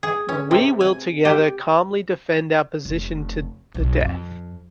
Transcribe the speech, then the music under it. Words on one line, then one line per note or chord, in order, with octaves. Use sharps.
We will together calmly defend our position to the death.
G#4
C#4
C3
G#5
G4
F1
B1
F2